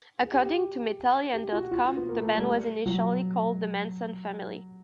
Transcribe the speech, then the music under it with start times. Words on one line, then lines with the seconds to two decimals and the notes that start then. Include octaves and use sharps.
According to metallian dot com, the band was initially called The Manson Family.
0.21 G#4
0.32 G4
0.46 G4
1.34 G4
1.52 F#4
1.72 F#4
1.85 F4
1.97 B3
2.09 A#3
2.22 A3
2.35 G3
2.86 F#3